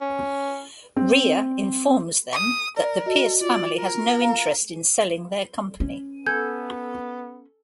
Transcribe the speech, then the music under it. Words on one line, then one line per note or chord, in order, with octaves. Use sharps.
Rhea informs them that the Pierce family has no interest in selling their company.
C#4
C4
D#6
A#4 D5
F#4 D#5
F4 D5
A#4
F5 A#5
C#4
B3 A4 G#5 G6 G#6